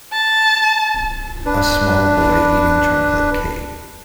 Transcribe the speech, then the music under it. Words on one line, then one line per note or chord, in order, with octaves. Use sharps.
A small boy eating chocolate cake.
A5
D4 B4